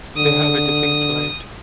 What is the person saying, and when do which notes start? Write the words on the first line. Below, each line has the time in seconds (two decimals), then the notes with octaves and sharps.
They have a dipping flight.
0.17 D3 D#6